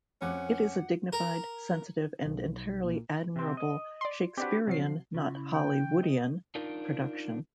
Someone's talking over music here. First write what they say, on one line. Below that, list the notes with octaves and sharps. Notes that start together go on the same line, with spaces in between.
It is a dignified, sensitive and entirely admirable Shakespearean-not Hollywoodean-production.
F2 C#4 F#5 D6 F#6
A#4
B1
A#2
C3 C4
D#5
D5 C6
C4 D4 F#4 G4 B4
C3 F3 F#3 C7
C#3 F4
E4
G5
D#5
D4 D#4 F4 A#4